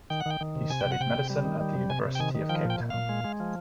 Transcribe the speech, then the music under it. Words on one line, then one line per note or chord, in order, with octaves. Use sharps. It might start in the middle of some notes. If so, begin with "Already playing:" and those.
He studied medicine at the University of Cape Town.
D#3 G5
F#5
D#3 G5
D#3
C3
C3 G#5
C3 G5
F#5
C3 G5
C3
G3
D#3
G3
C3
C3 G#5
C3
G5
D#3 G#5
D#3
F3 G5
A#2
G5
A#2
A#2 F5
G#3
G#3
F3